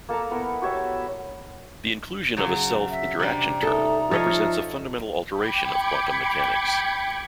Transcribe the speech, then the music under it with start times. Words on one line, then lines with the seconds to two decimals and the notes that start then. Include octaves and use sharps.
The inclusion of a self-interaction term represents a fundamental alteration of quantum mechanics.
0.09 A#3 A4 A5 A#5
0.31 B3 E4 A4 A#4
0.62 F#4 G4 C#5 E5
0.75 A5
2.37 C#3 F#3
2.90 E5
3.20 C3 G3 D4 A#5
3.63 D#4 A4 E5
4.11 F3 A4 C#5 D#5
5.29 G5 B5 D6 G#6 C#7